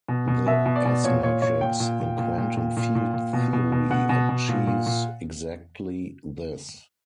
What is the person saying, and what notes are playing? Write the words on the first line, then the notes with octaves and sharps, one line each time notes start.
The S-matrix in quantum field theory achieves exactly this.
B2
B2
B2 E5
B2
D5
B2
A#2 C#5
A#2 C#5
A#2 C#5
A#2 G5
A#2
A#2
A#2
A#2
A#2
A#2
A#2
A#2
B2
B2
B2
B2 F#5
B2
B2
A#2
A#2
A#2